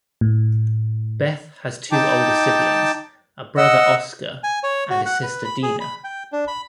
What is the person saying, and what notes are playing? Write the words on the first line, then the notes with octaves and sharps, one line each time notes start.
Beth has two older siblings, a brother Oscar and a sister Dinah.
A2
D#4 G5 A5 D6
D#5 F#5 E6
G#5
C#5
F#4
F#5
B4
B5
G#4
B5
G5
D4
B5